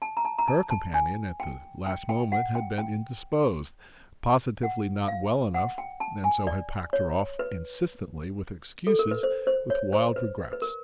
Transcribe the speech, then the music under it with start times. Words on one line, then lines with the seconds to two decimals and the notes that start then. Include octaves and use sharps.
Her companion, at the last moment, had been indisposed--positively not well enough, and so had packed her off, insistently, with excuses, with wild regrets.
0.02 A5
0.17 A#5
0.25 A5
0.39 A#5
0.48 A5
0.70 A5
0.94 G#5
1.40 G5
1.86 G5
2.09 G5
2.32 F#5
2.55 G5
2.78 G5
4.63 F#5
5.08 F5
5.54 F#5
5.78 G5
6.00 A5
6.24 G#5
6.47 D5
6.93 C#5
7.39 B4
8.87 A4
8.99 A#4
9.11 B4
9.23 C5
9.47 C5
9.70 C#5
9.93 C5
10.16 B4
10.53 B4
10.62 A#4